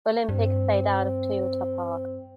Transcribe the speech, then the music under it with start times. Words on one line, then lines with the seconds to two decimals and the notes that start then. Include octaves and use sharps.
Olympic played out of Toyota Park.
0.29 G2 C4